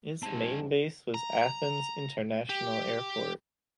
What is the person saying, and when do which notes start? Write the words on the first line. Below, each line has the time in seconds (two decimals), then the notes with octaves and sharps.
Its main base was Athens International Airport.
0.22 F2 G#2 C3 G3 C4 G#5 A5
1.14 A#5
2.49 G4